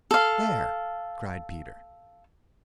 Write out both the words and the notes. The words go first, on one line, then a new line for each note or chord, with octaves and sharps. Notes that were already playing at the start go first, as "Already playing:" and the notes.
"There!" cried Peter.
A4 F5